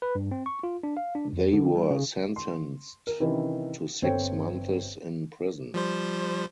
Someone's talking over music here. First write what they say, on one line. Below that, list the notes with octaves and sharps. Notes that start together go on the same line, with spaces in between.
They were sentenced to six months in prison.
B4
G2
C4
C#6
F4
D4
F5
D4
F2
D3
G3
C#3
C6
A#4
C3 D#3 E3 C#4 D#4 E4
G1 C4 A4 C5 C#5 G5
F3 G3 C5